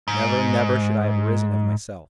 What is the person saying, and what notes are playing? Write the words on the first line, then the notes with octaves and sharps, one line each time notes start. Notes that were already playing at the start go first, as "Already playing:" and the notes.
Never, never should I have risen of myself!
G#2